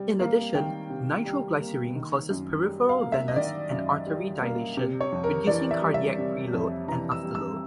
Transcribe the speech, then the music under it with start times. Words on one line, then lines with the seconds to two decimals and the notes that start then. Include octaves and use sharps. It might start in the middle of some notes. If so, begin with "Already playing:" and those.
In addition, nitroglycerin causes peripheral venous and artery dilation reducing cardiac preload and afterload.
Already playing: C3 G3
0.20 A#3
0.54 D#3 G5
0.90 C3
1.25 G3
1.60 A#3
1.95 D#3
2.30 F#2
2.66 G3
2.89 F5
3.01 A#3
3.12 E5
3.28 D#5
3.36 D#3 D5
3.71 F#2
4.07 G3
4.42 A#3
4.77 C3
5.01 C#5
5.12 F2
5.24 A#4
5.47 E3 D5
5.71 E5
5.82 G3
5.94 E5
6.18 C3
6.53 F2
6.88 E3 A#5
7.11 E6
7.23 G3
7.35 E6